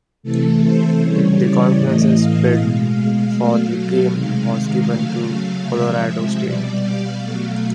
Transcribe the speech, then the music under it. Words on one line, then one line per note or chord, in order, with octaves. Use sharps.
The conference's bid for the game was given to Colorado State.
C3 E3 A3 A4
C5
C#3 E3 G3 C#5
D5
A2 E3 A3 D#5
F5
B2 G#3 F5
B2 F#3 A3
C3 D#3 G#3
C#3 F#3 A3 F5
C3 F3 G#3 E5
B2 G3 D5
F5
B2 F#3 A3 F5